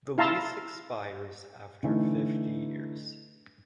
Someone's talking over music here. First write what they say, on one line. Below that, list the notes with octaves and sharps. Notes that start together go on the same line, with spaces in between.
The lease expires after fifty years.
E4 F5 A5 A#5 C6 E6
D3 E3 A3 D#4